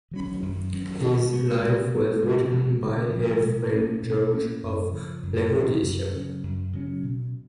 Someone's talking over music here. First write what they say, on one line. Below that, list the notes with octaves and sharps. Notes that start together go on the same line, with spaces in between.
His life was written by his friend George of Laodicea.
D#3 F#3 C#4
F#2
D#3 F#3 C#4
B2
G#3 B3
B2
G#3 B3
C#3
F3 G#3
C#3
F3 G#3
B2
A#3 C#4
B2
A#3 C#4
F#2
C#3 F3
F#2
C#3 F3
F#2
C#3 F#3 C#4
F#2
C#3 F#3 C#4
B2